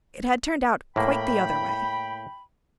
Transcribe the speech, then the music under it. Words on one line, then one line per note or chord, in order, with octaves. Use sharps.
It had turned out quite the other way.
A2 A#3 G5 B5